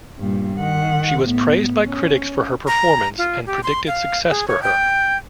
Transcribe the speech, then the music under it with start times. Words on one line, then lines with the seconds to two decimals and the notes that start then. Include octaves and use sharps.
She was praised by critics for her performance and predicted success for her.
0.19 G2 A#2
0.56 D#3 F#5
1.23 A2 B3
1.86 C#4
2.67 A#5
3.18 F4
3.46 G4
3.63 C6
3.87 F5
4.30 G#4
4.48 C#5
4.62 G5